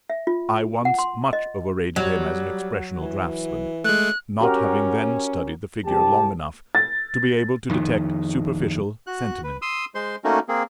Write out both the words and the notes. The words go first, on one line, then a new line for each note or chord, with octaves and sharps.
I once much overrated him as an expressional draughtsman, not having then studied the figure long enough to be able to detect superficial sentiment.
E5
F4
F#5
C6
D#5
F#3 G3
E3
G#3 A3 F#6
C#4 F#4 G4 A#4
C2 G4 A5
A6
F2 D#3
F#4 F#6
B4
C6 D#6 E6
G#3 C5 C6
A3 A#3 C#4 D#4 F#4
A#3 C4 G#4